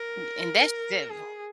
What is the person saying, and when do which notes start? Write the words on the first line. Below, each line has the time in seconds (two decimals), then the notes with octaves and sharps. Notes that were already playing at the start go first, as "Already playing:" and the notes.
N and that's def
Already playing: A#4
1.09 G#4